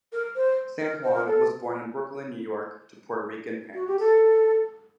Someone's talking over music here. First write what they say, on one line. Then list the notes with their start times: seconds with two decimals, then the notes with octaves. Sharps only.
San Juan was born in Brooklyn, New York to Puerto Rican parents.
0.12 A#4
0.36 C5
0.80 A#4
1.03 C5
1.14 A#4
1.26 A4
3.74 F#4
3.87 G4
3.99 A4